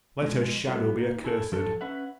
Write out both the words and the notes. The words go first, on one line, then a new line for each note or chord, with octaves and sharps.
Let her shadow be accursed.
B2 F3 G#3
G3 A3 B3 E4 F#4
A#3 D#4
E4 G#4 A4 C#5
F3 A4 C#5
C#4 B4 E5 F#5